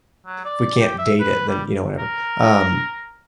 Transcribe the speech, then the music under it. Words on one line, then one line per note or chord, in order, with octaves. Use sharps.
if we can't date it, then, you know, whatever. Um
F#3
D5
G4
E5
B4
G3
A#4